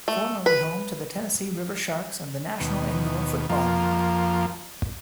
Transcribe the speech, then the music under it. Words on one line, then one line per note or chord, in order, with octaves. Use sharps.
Formerly home to the Tennessee River Sharks of the National Indoor Football League.
A3
B4
D#2 B2
F2 F3 A#3